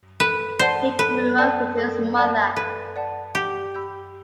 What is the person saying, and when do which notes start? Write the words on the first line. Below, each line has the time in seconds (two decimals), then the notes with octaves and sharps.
He grew up with his mother.
0.20 A4 B4
0.59 C5 D5 F#5 A5
0.99 A4 B4
1.38 D5 F#5 A5
1.78 A4
2.17 D5 F#5 A5
2.56 A4 B4
2.96 D5 F#5 A5
3.35 G4 F#5
3.75 B5 E6 G6